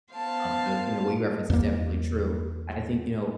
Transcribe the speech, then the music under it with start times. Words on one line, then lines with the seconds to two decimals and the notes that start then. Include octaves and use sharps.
Um, so, you know, what you referenced is definitely true. I think, you know,
0.13 B3 C5 F5 A5
1.50 E2 A#3